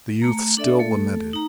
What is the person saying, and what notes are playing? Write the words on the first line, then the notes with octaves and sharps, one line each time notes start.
The youth still lamented.
A3 A#5
D4 A4 D5 E5
A3 A4
D#4 A#5